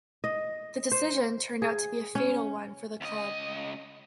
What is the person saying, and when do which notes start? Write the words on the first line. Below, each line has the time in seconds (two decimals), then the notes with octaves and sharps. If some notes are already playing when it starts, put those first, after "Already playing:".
The decision turned out to be a fatal one for the club.
0.24 D#5
0.92 C5
1.62 G#4
2.15 C#4
3.01 C#2 D#5